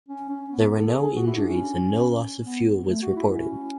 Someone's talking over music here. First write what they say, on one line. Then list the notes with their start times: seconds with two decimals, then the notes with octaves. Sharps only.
There were no injuries and no loss of fuel was reported.
0.09 C#4
0.29 C#4
0.51 B3
0.72 A4
0.87 A4
0.94 G#4
1.16 F#4
1.27 E4
1.37 D4
1.49 C#4
2.44 B3
2.89 A3
3.02 F#4
3.16 E4
3.31 C#4